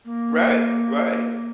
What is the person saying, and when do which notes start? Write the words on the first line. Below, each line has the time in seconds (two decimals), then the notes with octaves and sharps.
Right. Right.
0.05 A#3